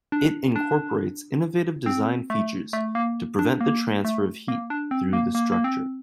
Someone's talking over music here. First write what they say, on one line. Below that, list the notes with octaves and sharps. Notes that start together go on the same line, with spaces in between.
It incorporates innovative design features to prevent the transfer of heat through the structure.
D4
D4
C4
A3
A3
A#3
D4
A#3
A3
A#3
D4
C4
A#3
A#3
A#3
C4